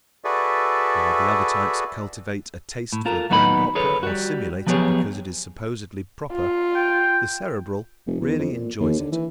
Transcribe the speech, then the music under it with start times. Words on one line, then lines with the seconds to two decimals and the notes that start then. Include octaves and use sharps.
While the other types cultivate a taste for grand opera or simulate it because it is supposedly proper, the Cerebral really enjoys it.
0.24 F#4 G#4 A4 B4 D5 E5
2.93 A2
3.06 F4 A4 A#4
3.30 D#2 F#3 B3 D#4 D#5 B5
3.75 G#4 A4 B4 C#5
4.03 G3 F#4
4.67 F3 F#3 B3 G4 G#4 C#5
6.32 F4
6.76 G5
8.07 F1
8.21 E2
8.38 F2
8.52 A#2
8.80 D#2
8.99 D3
9.12 E3